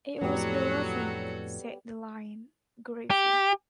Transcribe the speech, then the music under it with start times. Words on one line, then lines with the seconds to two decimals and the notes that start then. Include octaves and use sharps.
"It was Dorothy," said the Lion, gravely.
0.21 F2 A2 F#3 G3 B3 F#4 A4 C#5
3.10 G4